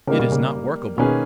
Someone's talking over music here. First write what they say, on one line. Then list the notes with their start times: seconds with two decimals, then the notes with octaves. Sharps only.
It is not workable.
0.07 C#3 G3 A#3 D#4 G4 A#4
0.20 B2
0.32 C#3
0.98 B2 D#3 A#3 C#4 G#4 B4